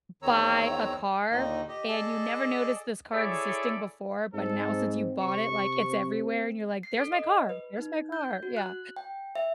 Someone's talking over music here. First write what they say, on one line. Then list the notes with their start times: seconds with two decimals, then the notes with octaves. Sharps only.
buy a car and you never noticed this car existing before, but now since you bought it, like, it's everywhere and you're, like, "There's my car. There's my car," yeah.
0.22 E2 D#3 C4 C#5 A#5 E6
1.32 D#2 A#2 D3 D#3 D#4 D#5
1.68 G4 D#5
1.88 G#4 A4 D5 D#5 A5
3.12 E4 G#4 A4 C#5 D5
4.34 G#2 C4 A4
5.21 C3 C#6
5.85 C4
6.83 C7
6.97 A4
7.12 D#5
7.49 B4
7.79 D#4
8.12 G6
8.43 F#4
8.57 F#6
8.97 G5
9.35 E5